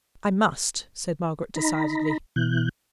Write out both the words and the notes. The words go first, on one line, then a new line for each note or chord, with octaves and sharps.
'I must,' said Margaret, decidedly.
D#4 A#5 B5
B2 E3 F#6 G6